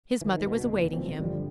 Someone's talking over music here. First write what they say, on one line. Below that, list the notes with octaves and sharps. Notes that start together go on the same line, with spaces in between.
His mother was awaiting him.
D#3 E3
B2
F#1 E2
F1 F2 B2 C4
G2 D3 F3 G3